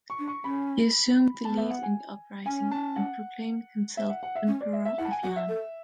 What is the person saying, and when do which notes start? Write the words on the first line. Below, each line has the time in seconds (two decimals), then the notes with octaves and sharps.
He assumed the lead in the uprising and proclaimed himself Emperor of Yan.
0.10 C#6
0.19 D4
0.28 C#6
0.44 C#4 B5
1.44 B3 A5
1.57 E5
1.70 F#5
1.83 G#5
2.45 C#4 G#5
2.71 A5
2.96 F#5
3.97 E5
4.10 F#5
4.23 F#5
4.35 E5
4.47 C#4
4.61 D5
4.73 E5
4.85 E5
4.98 E4 F#5
5.05 A5
5.11 G#5
5.23 F#4 F#5
5.36 E5
5.49 A4